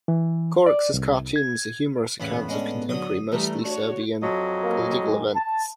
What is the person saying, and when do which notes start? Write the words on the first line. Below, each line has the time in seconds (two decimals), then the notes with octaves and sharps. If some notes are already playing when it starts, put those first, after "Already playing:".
Corax's cartoons are humorous accounts of contemporary, mostly Serbian, political events.
0.08 E3
0.66 D5
0.94 C2
1.36 G#6
2.20 E2 A2 C#3 B3 B5
2.49 G#3 C#4 D4
2.89 D3 F#3 D#6
3.32 E3 G3 A3 A#5
3.65 D4 F#4 C#5
4.22 F2 F#3 D#5
4.62 A#3
5.03 D#3 G#3
5.34 A5